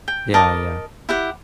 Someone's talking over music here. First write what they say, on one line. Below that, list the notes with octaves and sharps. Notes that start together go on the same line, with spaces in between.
Yeah, yeah.
G5
A#4 D#5 A5 D6
E4 G4 F#5